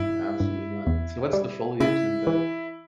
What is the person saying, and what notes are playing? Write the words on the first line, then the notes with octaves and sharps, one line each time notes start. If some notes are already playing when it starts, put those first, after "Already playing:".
Absolutely not. So, what's the foliage and the
Already playing: G2 E4
G2
E2
G3
C#3 E4
E3